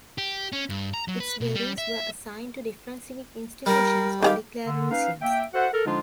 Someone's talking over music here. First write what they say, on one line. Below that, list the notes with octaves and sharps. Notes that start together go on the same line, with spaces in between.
Its buildings were assigned to different civic institutions or declared museums.
G4
C#4
G2
A#5
F#3
B4
B2
G3
E5
G3 A#4
D#3 G4 G#4 F5
D3
C#4 D#4 B4 F5
A#3 E5 G5
F#4 A4 C5 E5 F#5
A4 A#4
D3 F3 G#3 D4 D#4 F4